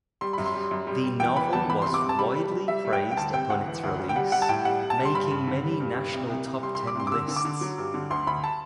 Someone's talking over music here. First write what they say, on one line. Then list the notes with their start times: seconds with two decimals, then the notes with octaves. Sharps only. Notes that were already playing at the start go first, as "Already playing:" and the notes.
The novel was widely praised upon its release, making many national top ten lists.
0.21 G3 C6
0.33 F#2 B5
0.46 C6
0.54 G3
0.71 F#2
0.87 G3
1.04 G3
1.20 E2 G5
1.36 E3 B5
1.53 E2 A5
1.69 E2 B5
1.82 C3 C6
1.94 D6
2.02 C3
2.09 A5
2.19 G3 B5
2.35 G3
2.52 G3
2.68 G3 E5
2.85 G3
2.93 G5
3.01 G3
3.11 G5
3.17 D2 A5
3.34 C3 G5
3.50 D2 F#5
3.67 E3
3.83 D2
3.99 D2
4.09 G5
4.16 G3 F#5
4.32 G3 F#5
4.42 A5
4.49 A2 G5
4.65 G3 F#5
4.82 G3
4.90 A5
4.98 G3
5.05 C6
5.15 G2 B5
5.31 G2
5.47 D3
5.64 G3
5.80 G2
5.97 G2
6.13 C2
6.30 C2
6.46 C2
6.63 G3 C6
6.75 G3 C6
6.87 D6
6.95 C2 C6
7.07 D6
7.12 D3 E6
7.28 D3
7.36 D6
7.45 D3
7.61 F#3
7.78 G2
7.94 D3
8.10 D2 C6
8.27 D2 B5
8.44 A5